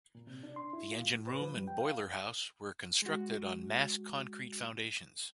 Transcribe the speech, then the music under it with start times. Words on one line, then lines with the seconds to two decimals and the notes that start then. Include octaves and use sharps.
The engine room and boiler house were constructed on mass concrete foundations.
0.15 A#2
0.27 C3
0.43 D4
0.56 C6
0.73 E4
0.92 F4
1.06 A2
1.28 B4
1.41 F3
1.54 G3
1.67 G5
1.81 F5
3.02 G#3 F#4